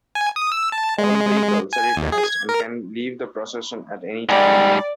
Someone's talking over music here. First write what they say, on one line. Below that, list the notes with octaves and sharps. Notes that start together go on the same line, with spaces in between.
All vehicles are detached and can leave the procession at any time.
G#5
D#6
E6
A5
G#3
G#5
D#2
G#4
G#6
A#4
G#2 G3 D5 G5